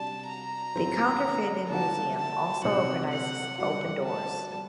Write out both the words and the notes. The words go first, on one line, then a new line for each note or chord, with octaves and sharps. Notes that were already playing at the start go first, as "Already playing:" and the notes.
The Counterfeiting Museum also organizes Open Doors.
Already playing: C3 G3 D4 F#4 A5
A#5
G2 D3 F#3 C4
D3 G3 A#3 D#4 F#4 A5
A5
C3 F#3 C4 D#4 F#5
F#5
D3 G3 D4 F#4 F#5
A5
G3